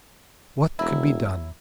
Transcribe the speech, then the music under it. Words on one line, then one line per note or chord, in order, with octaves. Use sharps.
What could be done?
E1 F#3 E4